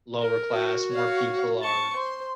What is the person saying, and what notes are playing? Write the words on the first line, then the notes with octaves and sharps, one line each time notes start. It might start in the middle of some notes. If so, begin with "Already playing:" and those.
lower class, more people are
A#4
F#4
C#5 F5
A5 C#6
C5 C6